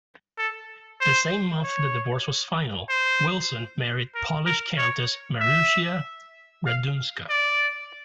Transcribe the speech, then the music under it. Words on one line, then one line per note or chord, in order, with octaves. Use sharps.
The same month the divorce was final, Wilson married Polish countess Marusia Radunska.
A4
C5
C#5
C5
A#4
A#4
C#5
E5
F5
D5